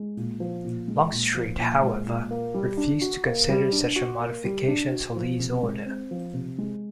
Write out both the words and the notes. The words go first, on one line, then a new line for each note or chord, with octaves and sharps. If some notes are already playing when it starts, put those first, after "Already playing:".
Longstreet, however, refused to consider such a modification to Lee's order.
Already playing: G#3
A#2
F3
A#2
G#3
A#2
F3
A#2
G#3
A#2
A#3
G3
D4
F#4
A#3
G3
D4
F#4
A#3
G3
D4
F#4
F3
C3
G#3
C4
F3
C3
G#3